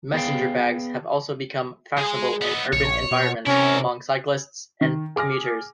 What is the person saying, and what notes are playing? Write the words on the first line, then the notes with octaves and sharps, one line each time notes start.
Messenger bags have also become fashionable in urban environments, among cyclists and commuters.
B3 G#4 D5 D#5 F5 G5
G#3 G#4
B3 D#4
A#1 C#5
B2
C3 C#4 E4 A#4
D#3
G#4 D6 F6 A#6